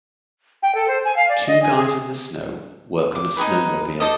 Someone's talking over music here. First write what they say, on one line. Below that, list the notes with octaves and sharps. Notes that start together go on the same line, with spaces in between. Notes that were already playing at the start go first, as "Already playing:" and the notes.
Two guys in the snow work on a snowmobile.
G5
A4
C5
G#5
F5
D5
D#5
G#5
G#4
D6
D#4 F#4 G#4 B4
A4 C5 D5 D#5